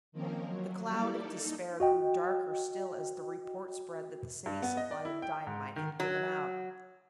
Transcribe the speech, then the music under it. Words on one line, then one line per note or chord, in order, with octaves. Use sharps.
The cloud of despair grew darker still as the report spread that the city's supply of dynamite had given out.
D#3 F3 A#3 C4 C#4 A#4
F#3
G3 A#3 E4 A4 D5
D#4 A4
F#4 D#5 G5
G2
B3
D#5
D5
E4
G5
G#2
D#3
F#3